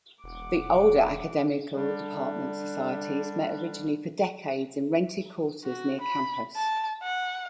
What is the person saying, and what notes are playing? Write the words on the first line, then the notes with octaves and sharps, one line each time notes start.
The older Academical Department societies met originally for decades in rented quarters near campus.
E1 F#5 D6
D3 G3 D4
F#4
B5
A5
F#5